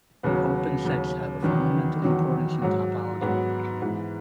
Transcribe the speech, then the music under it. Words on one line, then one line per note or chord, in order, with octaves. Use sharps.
Open sets have a fundamental importance in topology.
D#2 C#3 F#3 B3
D#2 C#3 F#3
E2 D#3 F#3 B3
E2 D#3 F#3
G#2 F#3
G#2 F#3 B3
G#2 E3